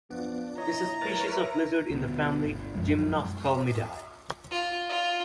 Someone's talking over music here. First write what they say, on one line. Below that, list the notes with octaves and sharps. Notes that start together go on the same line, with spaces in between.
This is species of lizard in the family Gymnophthalmidae.
F3 B3 D4
A#2 D#3 E4 C#5 D#5 A#5
A#4 B4 C#5 A6
E5
D2 B2
G1
B1 F#2 F3 G#3
F4
F4